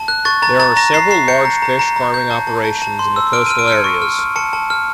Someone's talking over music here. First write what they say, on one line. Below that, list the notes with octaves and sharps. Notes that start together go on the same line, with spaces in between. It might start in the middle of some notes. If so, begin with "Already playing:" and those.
There are several large fish farming operations in the coastal areas.
Already playing: A5
F#6
C#6 A6
A#5 A6
A#5 A6
A#5 A#6
A#5 C7
A#5 C7
G6 C#7
A#5
A#5
A#5
A#5
G6
A5
A5
A5
A5
C6
E6
F6 D7
F6 D#7
D7
F6 C#7
C#6
F6
F6
A5 C#7
A5
F6